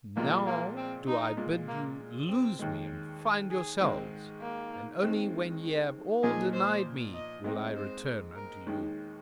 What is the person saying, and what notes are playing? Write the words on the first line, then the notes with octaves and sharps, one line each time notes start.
Now do I bid you lose me and find yourselves; and only when ye have all denied me, will I return unto you.
A#1 A#2 G#3 A#3 F4
A#3
C4
D#4
A#2 G#3 F4
A#3
C4
D#2 D#3 G#3
G#4
G#2 D#3 G#3 C4
A#3
D#2 D#3 G#3 C4
A#2 F3 A#3 D#4 G#4
C5
D#5
G#2 G#3 C4 D#4
C5
A#4
D#2 D#3 G#3